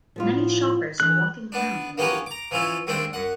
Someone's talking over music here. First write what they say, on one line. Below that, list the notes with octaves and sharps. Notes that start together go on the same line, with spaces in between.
Many shoppers are walking around in a mall.
A2 F3 B3 F4
D3 E3 F#6
B3 D4
A#3 B3 C#4 G4 A#4 B4
A#5 D6
E3 F3 C#4 E4 F4
D#2 G#3 A3 C4 D4 G5
F#2 F#5